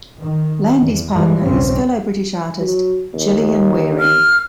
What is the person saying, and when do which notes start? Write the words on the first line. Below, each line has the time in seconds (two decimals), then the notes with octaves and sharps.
Landy's partner is fellow British artist Gillian Wearing.
0.20 D#3
0.77 E2
1.16 G2 E3 G3 G#3
1.46 B1 E2 G2 C#3 C4 C#4
2.61 F#3
3.14 D#2
4.00 F6